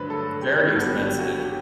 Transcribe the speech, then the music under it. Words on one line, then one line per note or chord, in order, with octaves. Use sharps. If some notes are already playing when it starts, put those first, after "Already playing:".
very expensive,
Already playing: G2 D3 F#3 A3 B4 C5
A4
G4
G1 G2 F#3 B3 G4
G4
F#4
G4